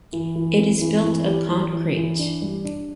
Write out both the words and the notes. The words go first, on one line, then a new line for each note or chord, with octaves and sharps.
It is built of concrete.
E3
E3
C4
E3
E3
G4
E3
E3
E3
D4
G3
D4